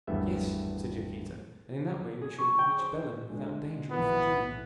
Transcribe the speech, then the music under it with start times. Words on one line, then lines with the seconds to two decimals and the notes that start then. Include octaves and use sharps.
"Yes," said Yaquita, "and in that way we shall reach Belem without danger or fatigue."
0.07 G#1 E2 G2 A3 B3 E5
2.21 G#4
2.38 C#6
2.59 G5
2.79 C5
3.27 D3 G#3
3.92 B1 A2 E3 B3